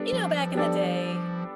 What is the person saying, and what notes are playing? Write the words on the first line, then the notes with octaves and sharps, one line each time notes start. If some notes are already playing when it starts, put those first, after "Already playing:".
you know back in the day,
Already playing: G3 B3 D4 A4 D5
F3
G3 B3 D4 A4 D5